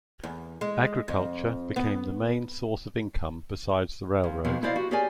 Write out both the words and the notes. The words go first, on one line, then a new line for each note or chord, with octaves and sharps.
Agriculture became the main source of income besides the railroad.
E2
G#3
F2
B3
F2
F2 B2 F3
E4 F4 C5 D5 D#5 F5
F#4 G4
G4 G#4 A#4 C#5 D5 G#5